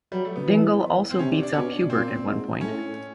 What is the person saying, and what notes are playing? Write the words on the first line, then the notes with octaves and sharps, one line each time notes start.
Dingle also beats up Hubert at one point.
F#3 G3
A3
B3
E3
C4
C3 C#4
D4
D4
B2 C#4
D4
A#2 C4
G#2
A2 C#4